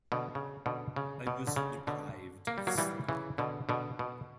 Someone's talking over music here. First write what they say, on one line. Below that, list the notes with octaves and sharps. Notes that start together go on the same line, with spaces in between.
I was deprived of sleep.
B2 D3
C#3
B2 D3
C#3
B2
D3
C#3
B2 D3
A#3
G3
F#3 A#3
E3 G3
C#3 E3
B2 D3
B2 D3
B2